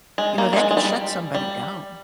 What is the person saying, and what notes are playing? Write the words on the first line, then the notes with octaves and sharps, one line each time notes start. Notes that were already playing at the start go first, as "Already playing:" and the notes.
You know, that can shut somebody down.
G#3
A#3
G3
G#3
G#3
G3
G3